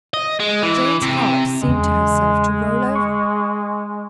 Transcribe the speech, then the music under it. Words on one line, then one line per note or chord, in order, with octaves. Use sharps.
Jane's heart seemed to herself to roll over.
D#5
G#3
E3
C3
E2 C#3 G#3
C#6